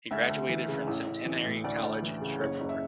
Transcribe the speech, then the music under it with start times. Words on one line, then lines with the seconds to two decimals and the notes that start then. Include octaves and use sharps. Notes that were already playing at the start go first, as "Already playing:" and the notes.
He graduated from Centenary College in Shreveport.
0.11 D2 E5
0.29 D2
0.49 E3
0.68 C#3
0.87 A1
1.07 A1
1.25 E3
1.45 A2
1.64 D2 D5
1.83 D2
2.02 E3
2.22 C#3
2.41 F#1 C#5
2.60 F#1
2.69 E5